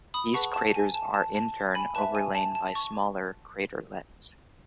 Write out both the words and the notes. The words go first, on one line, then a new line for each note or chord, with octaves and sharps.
These craters are in turn overlain by smaller craterlets.
B5 D#6
G#4 B4 F#5 A5 C#6
A5
G#5
A5
A5
A5
G#5 B5
B4 E5 A5
G#5
A5
A5
C#6